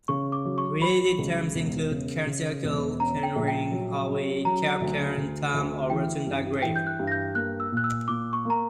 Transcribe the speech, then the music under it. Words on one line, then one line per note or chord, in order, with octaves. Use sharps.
Related terms include "cairn circle", "cairn ring", "howe", "kerb cairn", "tump" or "rotunda grave".
C#3 C#6
D6
F#3
C#6
F#3 B5
C#2
E1
C#3
C#3
E1
C#4 A#5
G5
A#1
G5
F#3
C#4
F#3 A#5
D2
D2
D2
E3 G5
G2
E3 G5
G6
F#6
G2
A#6
G6
A#3 F#6
E6
A#2 F#6
E6
A#2 D6
C#6
A#3 A#5